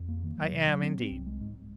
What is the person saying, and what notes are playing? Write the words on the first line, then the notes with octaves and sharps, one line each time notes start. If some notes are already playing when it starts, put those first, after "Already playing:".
I am, indeed.
Already playing: F2
A#3
D#3
F#3
C3
F#3
C4
C4
C2
G#3
G#2